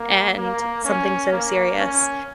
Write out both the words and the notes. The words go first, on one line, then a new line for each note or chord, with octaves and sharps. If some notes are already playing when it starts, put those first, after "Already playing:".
and something so serious
Already playing: A#3
A#3
C#4
A#3
C#4